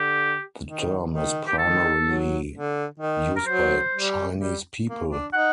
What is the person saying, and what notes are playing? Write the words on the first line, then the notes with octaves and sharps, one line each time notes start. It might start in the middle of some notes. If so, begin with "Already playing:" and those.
The term is primarily used by Chinese people.
Already playing: D3 G4
D#3
D#3
G4
D#3 A4
F#3
D3
D#3
A#4
F#3 C5
G3
G3
A#3
D4
D#4 F#5